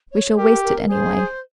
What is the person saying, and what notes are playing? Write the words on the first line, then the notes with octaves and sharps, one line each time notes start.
We shall waste it anyway....
C#5
G4 A#4
A#4
G#4 C5
C5